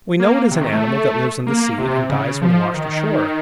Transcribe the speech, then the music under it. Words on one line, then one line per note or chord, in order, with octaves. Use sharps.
We know it is an animal that lives in the sea, and dies when washed ashore.
A#3
C3
D#3
A3
A#3
C3
C#3
F3
D#3